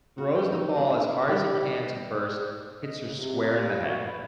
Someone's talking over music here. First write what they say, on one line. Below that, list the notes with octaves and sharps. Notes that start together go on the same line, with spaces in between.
throws the ball as hard as he can to first, hits her square in the head.
F#4
G5
D#4
D4
D4
G3 G4
D#5
C#3
C3
G3
F#4
B4